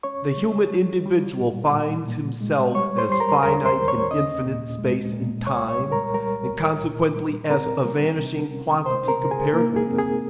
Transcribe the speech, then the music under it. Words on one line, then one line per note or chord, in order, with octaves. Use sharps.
The human individual finds himself as finite in infinite space and time, and consequently as a vanishing quantity compared with them.
C#4 C#5 C#6
G3
G3
G3
A#2
A#2
A#2
G#3
G3 C#5 C#6
C5 C6
G3 C6
A#4 A#5
D#2 A#4 A#5
C5 C6
D#2
C#5 C#6
C#4 D#5 D#6
A#2
G#3
A#2
C2 C#5 C#6
C#5 C#6
G3
A#4 A#5
G3 A#4 A#5
C2
A#2
G3
C4 A#4 A#5
G3
C3
C#4
C3 C5 C6
A#4 A#5
C3
G#4 G#5
A#3 D#4 A#4
G#4
C4
G#4